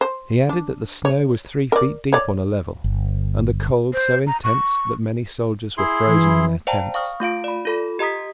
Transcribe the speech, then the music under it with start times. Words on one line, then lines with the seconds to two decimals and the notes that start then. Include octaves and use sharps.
He added that the snow was three feet deep on a level, and the cold so intense that many soldiers were frozen in their tents.
0.01 C5
0.49 D4
1.05 C#5
1.72 A#4 D5
2.13 C#5 D5
2.84 G1
3.93 C5
4.27 A#5
4.44 C#6
5.78 E4 G#4 C6
6.06 E3
6.67 C5 D5 F5 G5 A5 A#5
6.94 F5 C#6 D#6 F6
7.20 A3 F4 F5 D7
7.44 D5 B5
7.65 F4 A4 B5
7.99 G4 D#5 A#5 D#6 B6